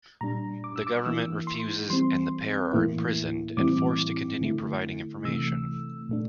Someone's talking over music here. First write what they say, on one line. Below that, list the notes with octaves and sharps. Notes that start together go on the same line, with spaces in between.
The government refuses, and the pair are imprisoned and forced to continue providing information.
A#2 G3 D4 A#5
D6
E6
D6
E3 A#3 E4 E6
C6
E3 G3 C4 C6
A2 E3 A#3 E4
A2 E3 G3 C4 E4 D6
D3 A3 E4
C3 E3 A3 E6
A#2 A3 D4